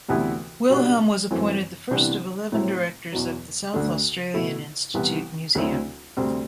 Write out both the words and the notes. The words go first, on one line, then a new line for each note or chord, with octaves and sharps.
Wilhelm was appointed the first of eleven Directors of the South Australian Institute Museum.
D2 C3 E3 B3 E4
B2 G3 B3 D4
F#2 E3 A3 C4
C2 C3 E3 B3 D4
A2 F#3 C4 E4
E2 B2 F#3
D2 D3 A3 D4
B2 A3 E4
C2 C3 E3 B3
D2 D3 F#3 C4 E4
D2 C3 G3 C4